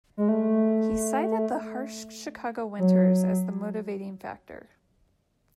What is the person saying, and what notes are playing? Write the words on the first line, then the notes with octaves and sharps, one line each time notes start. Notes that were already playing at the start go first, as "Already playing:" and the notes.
He cited the harsh Chicago winters as the motivating factor.
G#3
A3
F#3